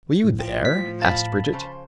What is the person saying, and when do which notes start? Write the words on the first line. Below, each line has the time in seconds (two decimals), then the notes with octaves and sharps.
"Were you there?" asked Brigitte.
0.24 A2
0.39 F3 G5
0.65 B6
1.02 F5 A5 B5
1.53 C#3 F3 C5